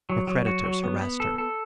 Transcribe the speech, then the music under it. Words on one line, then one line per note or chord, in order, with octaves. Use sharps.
Her creditors harrassed her.
F#3
F#3
F#4
F#3
B3
B3
A4
A4